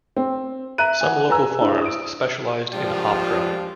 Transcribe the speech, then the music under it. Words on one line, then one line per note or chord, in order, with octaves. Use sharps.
Some local farms specialised in hop growing.
C4
E5 A#5 F#6 D#7
F#5 G#5
B4 G#5 A#5 E6
D4 E4 G#4 C5
D#6 D7
A#2 F3 G3 G#3 D4 F4